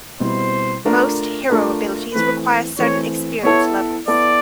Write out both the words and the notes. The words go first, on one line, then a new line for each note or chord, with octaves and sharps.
Most hero abilities require certain experience levels.
B2 G3 C4 E4 C5
A3 D4 F4 A#4
A3 D4 F4 A#4
E3 A3 C4 B4
E3 A3 C4 C#5
B3 E4 A4 C#5
B3 E4 A4 D5